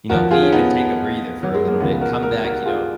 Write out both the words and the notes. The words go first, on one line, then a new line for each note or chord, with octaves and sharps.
you know, leave and take a breather for a little bit, come back, you know,
F2 F3 F#4 A#4
F4 G#4
C#4
B3 D#4
F#3
G#3
A#3
C#2 C#3 F3 G#3 B3
F#4 A#4
A#4
F#4 A#4
F4 G#4